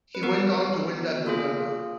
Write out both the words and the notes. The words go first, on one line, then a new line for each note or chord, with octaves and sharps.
He went on to win that November.
B4
B3 F#4 A#4
A#3 F4 G#4